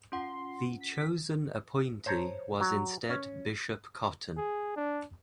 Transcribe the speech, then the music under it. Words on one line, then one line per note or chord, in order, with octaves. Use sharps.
The chosen appointee was instead Bishop Cotton.
C#4 F4 F#5 C6
B6
C5 C#5 A5 A#5
F#3
C#4
G#4
D4